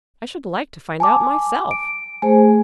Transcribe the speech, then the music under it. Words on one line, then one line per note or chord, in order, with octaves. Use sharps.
"I should like to find out myself."
G#5 A5 D6
D7
A3 G#4 C5 G#5